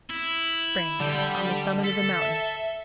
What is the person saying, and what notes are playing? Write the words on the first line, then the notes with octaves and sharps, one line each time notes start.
Spring.--On the summit of a mountain.
E4
D3 G3 G5
A4 B6
E5